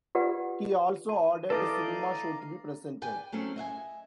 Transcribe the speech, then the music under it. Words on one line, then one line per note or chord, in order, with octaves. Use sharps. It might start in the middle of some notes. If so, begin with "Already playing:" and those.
He also ordered a cinema show to be presented.
F4 G4 B4 D5 F#5
A5
E3 A3 A4 B4 D5 D#5 F5 A#5
B4 D5 G5 G#5
F#3 A3 C4 C#4 E4
D#5 E5 F#5 G#5